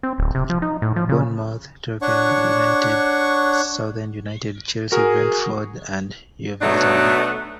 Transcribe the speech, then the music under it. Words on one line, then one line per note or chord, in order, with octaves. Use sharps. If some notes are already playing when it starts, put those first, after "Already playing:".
Bournemouth, Torquay United, Southend United, Chelsea, Brentford and Yeovil Town.
C4
D1
C3
F3
D#4
A2
F3
C#3
D4 C#5 F#5 C#6
F#4 G#4 A#4
B2 F#3 A3 B3 D4 D#4